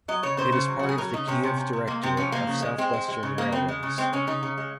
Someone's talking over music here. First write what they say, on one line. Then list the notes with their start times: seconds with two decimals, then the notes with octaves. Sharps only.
It is part of the Kyiv Directorate of Southwestern Railways.
0.08 F#3 D#5
0.23 C#3 C#5
0.37 C#3 C5
0.52 C#3
0.68 F#3
0.79 C#3 F#4
0.89 G#4
0.98 F#3 A#4
1.13 C#3 D#4
1.27 C3 C#4
1.43 C3
1.58 C3
1.73 C3
1.87 G#3 A#3
2.03 C3 C4
2.17 F3 C#4
2.32 F3 A#3
2.47 C#3
2.62 G#3
2.78 G#3 C4
2.93 G#3
3.08 G#3
3.23 C#3
3.38 G#3 A#3
3.52 C#3 C4
3.68 G#3
3.83 C#3
3.98 G#3 C4
4.13 C#3 C#4
4.27 C#3 D#4
4.43 C#3
4.58 G#3